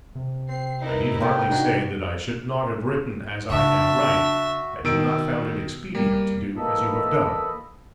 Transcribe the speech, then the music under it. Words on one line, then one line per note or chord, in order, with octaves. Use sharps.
I need hardly say that I should not have written as I now write, had you not found it expedient to do as you have done.
C3
C4 C7
D#4 E4 A#4 B4
A#2 A3 G5
D4 D#4 F#4
C#3 D4 F#4 E5
B2 D#3 E6 D7
G3 A#3
E3 A#3 A4 D#5 B5 E6